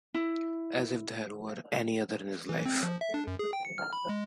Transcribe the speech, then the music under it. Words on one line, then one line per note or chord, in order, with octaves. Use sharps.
As if there were any other in his life!
E4
E3
C4
F3
E5
D4
F#2
G#4
G5
C#7
F6
B5
G#3